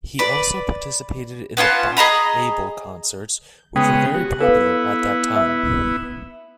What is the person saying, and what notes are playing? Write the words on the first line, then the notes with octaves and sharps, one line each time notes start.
He also participated in the Bach-Abel Concerts which were very popular at that time.
B4 D5
B3 C#4 F4 A5
G#4 D#5 A#5 B5
C#3 G#3 B3 G5 D#6
F#4 G4
B3 E4 A4 B4 F5
E5 E6